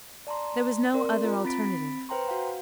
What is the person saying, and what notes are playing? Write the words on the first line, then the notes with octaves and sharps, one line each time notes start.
There was no other alternative.
D5 A5 A#5 C6
C4 A#4 D5 C6
F4 A#5
C4 B5 A6 B6 D7
B4 C5 G5 A#5 C6
F#4 F5 F#5